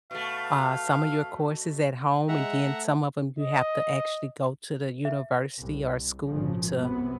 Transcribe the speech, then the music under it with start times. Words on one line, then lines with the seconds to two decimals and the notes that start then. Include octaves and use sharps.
u uh, some of your courses at home, and then some of ‘em you have to actually go to the university or school to,
0.11 B2 A3 F5
2.28 G#3 E5 F#5 A#5
2.64 A3
3.39 D#5
5.05 E5
5.59 C2
6.29 G#1 A#2 C#3 F3
6.77 C2 F#2 C3 B3